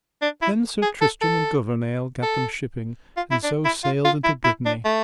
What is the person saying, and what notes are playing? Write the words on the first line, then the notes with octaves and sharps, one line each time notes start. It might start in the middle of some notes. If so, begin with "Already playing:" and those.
Then Sir Tristram and Gouvernail gat them shipping, and so sailed into Brittany.
D4
E4
G#4
A4
A4
A4
F4
E4
D4
E4
F4
F4
E4
E4
D4
A3